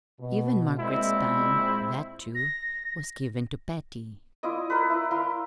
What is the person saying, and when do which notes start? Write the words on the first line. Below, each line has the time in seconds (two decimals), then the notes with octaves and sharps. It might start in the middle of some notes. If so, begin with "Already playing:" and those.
Even Margaret's time--that, too, was given to Patty.
0.20 B2
0.79 A#2 G#3 C4 E4
2.35 A#6
4.43 E4 F4 D5 D#5
4.70 A#4 B4
4.90 E4 E5
5.11 E4 A#4 F5 C6